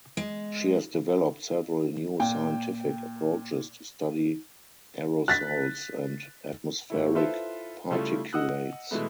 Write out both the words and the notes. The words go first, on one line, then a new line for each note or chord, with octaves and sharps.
She has developed several new scientific approaches to study aerosols and atmospheric particulates.
G#3
A#2 G5
F#6 A6 B6
G#1 A3 E4
E4 F4 A4 B4 C5 E5
C#3 G3 A3 E4 F4 A4
D#5 F#5 D#6 E6 F#6
B2 E3 G#3 A3 B3